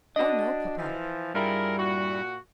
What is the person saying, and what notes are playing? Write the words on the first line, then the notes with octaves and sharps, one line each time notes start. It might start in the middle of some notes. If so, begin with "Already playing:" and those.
"Oh no, papa."
D4 F#4 D#5
E3 F3
G2 G3 E4 F4 G#4 A#4
A#2 F#4